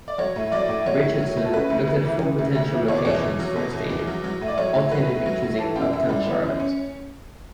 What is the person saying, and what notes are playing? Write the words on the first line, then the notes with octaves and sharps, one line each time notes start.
Richardson looked at four potential locations for a stadium, ultimately choosing uptown Charlotte.
D5
F#3 C#5
A2
F#3 D5
A2
F#3 C#5
A2
F#3
A2
A4
C#3 B4
D2
D2
E3
C#3
D2
D2
E3
B2 C#5
D5
E2 C#5
E2
F#3
B2
E2
E2
F#3
F#3
A2
D5
F#3 C#5
A2
F#3 B4
A2
F#3
A2
E3 A4
F#2 G4
F#2 E4
G3
E3 B3
F#2
C#4